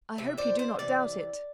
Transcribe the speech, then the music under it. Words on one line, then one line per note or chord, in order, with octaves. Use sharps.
"I hope you do not doubt it."
C3 E3 E5
C5 D5
C5 D5
C3 E3 D5